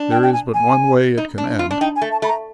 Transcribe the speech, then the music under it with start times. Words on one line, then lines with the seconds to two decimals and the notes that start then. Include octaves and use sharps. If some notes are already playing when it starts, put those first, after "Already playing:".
There is but one way it can end.
Already playing: D4
0.11 G5
0.23 G5
0.33 G#5
0.54 G#5
1.18 D#4
1.38 D4
1.59 F4
1.71 D4
1.81 D#4 G5
1.96 G#5
2.02 A3
2.12 A5
2.22 A3 B5
2.28 A#5